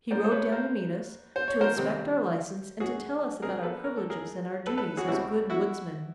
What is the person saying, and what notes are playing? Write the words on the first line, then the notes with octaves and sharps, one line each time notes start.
He rode down to meet us, to inspect our license and to tell us about our privileges and our duties as good woodsmen.
A#2 G3 A#3 C#4 C5 D5
C5
B4 C#5
A#4 C5
C5
C#5
A#4 C5
C3 D#3 G3 C4
F#4 G#4
B2 G#3 C4 G#4 A#4
A4 B4
A#4
A4
G#4 A#4
A4 B4
A4 B4
F#4 G#4
C#2 B2 G3 C4 E4 F#4
E4 F#4